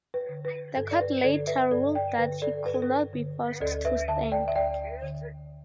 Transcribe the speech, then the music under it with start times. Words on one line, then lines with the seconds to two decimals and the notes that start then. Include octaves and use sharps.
The court later ruled that he could not be forced to stand.
0.14 B4
0.29 D3
0.45 B4
0.76 G2 A4
0.91 D5
1.01 B4
1.24 D3 A4 D5
1.47 B4 E5
1.71 G2 A4 D5
1.95 D5 G5
2.18 D3 B4
2.42 A4 D5
2.66 G2 B4
2.74 A4
2.82 B4
3.13 D3
3.60 D2 A4 D5
3.85 B4 E5
4.08 D3 E5 A5
4.32 D5 G5
4.48 E5
4.56 D2 D5 G5
5.02 D3